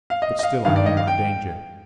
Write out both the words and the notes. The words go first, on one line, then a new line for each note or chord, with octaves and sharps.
But still I knew my danger.
F5
D#5
D#5
F5
G2 D#3 F5
D5
D#5
F5
G5